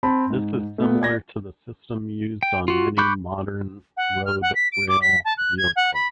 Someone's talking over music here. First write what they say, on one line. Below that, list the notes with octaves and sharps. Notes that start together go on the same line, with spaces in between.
This is similar to the system used on many modern road-rail vehicles.
C4 A5 B5
G#2
A3 B3
D5 G#6 A#6
G5
F4 F#4
B5 C#6 D6 F#6 G6
F#5
F6
F#5
B6
D7
D6
B6
A5
F#6
G#6
F#5
B5